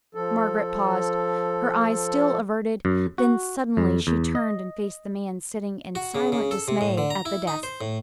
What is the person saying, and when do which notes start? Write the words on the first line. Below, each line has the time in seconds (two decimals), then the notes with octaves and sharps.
Margaret paused, her eyes still averted; then suddenly she turned and faced the man sitting in silent dismay at the desk.
0.15 F3 A4
2.85 F#2
3.18 F#4
3.77 F2
4.07 E2
4.35 D#5
5.95 F#4
6.15 C#3
6.32 C#3
6.51 A4
6.68 C3
6.81 A2
6.98 D3
7.10 A#5
7.25 E4
7.47 D#4
7.63 C5
7.81 A2